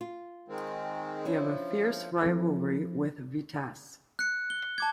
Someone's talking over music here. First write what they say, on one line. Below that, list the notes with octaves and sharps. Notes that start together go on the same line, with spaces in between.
They have a fierce rivalry with Vitesse.
F4
D#3 G#3 C4
F3 C#4 D4 E4
F3 C4 E4 A4
F#6 C#7
G7
A5 D6 G#6